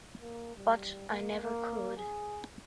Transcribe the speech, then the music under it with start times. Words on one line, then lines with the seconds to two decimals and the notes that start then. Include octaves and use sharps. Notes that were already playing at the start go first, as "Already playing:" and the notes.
But I never could!
0.21 A#3
0.57 G3
1.10 A#3
1.42 A#3
1.97 G#4